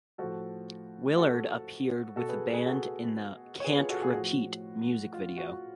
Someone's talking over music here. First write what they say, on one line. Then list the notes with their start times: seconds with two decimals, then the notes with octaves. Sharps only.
Willard appeared with the band in the "Can't Repeat" music video.
0.18 A2 F3 F#4 A4
1.17 F#4 A4
2.16 B2 F#4 A4
2.29 G#4 B4
2.53 G#4 B4
2.66 F#4 A4
3.60 C#5
3.64 G#4 B4
3.77 F4 G#4
3.89 F#4 A4
4.02 F4 G#4
4.14 A2 F3 F#4
5.13 F4
5.37 F#4